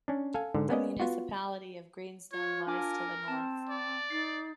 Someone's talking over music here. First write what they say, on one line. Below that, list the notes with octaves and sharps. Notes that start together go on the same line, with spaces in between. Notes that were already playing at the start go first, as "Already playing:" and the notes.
The municipality of Greenstone lies to the north.
C#4 D4
A4 F5 G#5
G#2 D3
A#3 B3 C#4 D5 D#5
B3 F4 F#4
F4 C#5
D4 A#4 G#5 D6
C4 A5
D5
D#4 A6 C7